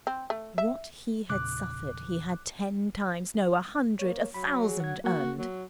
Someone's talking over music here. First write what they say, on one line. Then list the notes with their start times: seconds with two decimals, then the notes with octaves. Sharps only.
What he had suffered he had ten times--no, a hundred, a thousand--earned.
0.07 C4
0.30 A3
0.58 E5
1.30 E2 A#2 C#3 D6 F#6
3.99 A#3 C#5
4.34 F#3 B5
4.65 G#4
4.80 F#5 G#6
5.04 A#3 F#4
5.38 F#3